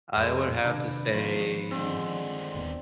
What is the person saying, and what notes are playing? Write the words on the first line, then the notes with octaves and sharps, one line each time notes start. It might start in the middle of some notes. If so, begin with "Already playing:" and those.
I would have to say,
F2 G#3 A4 B4
C3 D#3 D4 B4 D5
D#3 F3 B3 F4
G2 D3 D#3 G#3 C4 D5
D1 D#2 B3